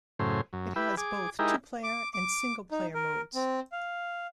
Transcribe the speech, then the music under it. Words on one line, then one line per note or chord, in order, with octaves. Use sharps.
It has both two-player and single-player modes.
F#2 A2 C#3 C5
F#2
E4 G4 B4
G#4 D6
G#3 D#4 E4 G4 A#4
D6
D6
D#4
A#4
C4
F5